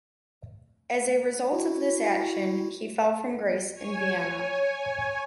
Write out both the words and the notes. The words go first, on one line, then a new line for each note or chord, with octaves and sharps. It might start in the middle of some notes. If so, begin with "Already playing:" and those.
As a result of this action, he fell from grace in Vienna.
E4 F#4
C#5 G#5